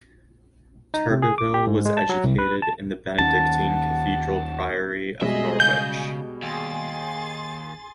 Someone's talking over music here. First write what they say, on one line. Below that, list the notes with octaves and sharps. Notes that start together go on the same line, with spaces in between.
Turbeville was educated in the Benedictine cathedral-priory of Norwich.
D#4
C3
G#4
D6
G4
G#2
G#3
A5
F#3
C2
B4
A5
D#2 D#3 C#4 F#5 A5
B2 G3 G#3 G#4 D#5 E5
C#3 G6
D#2 G#4 C6 A6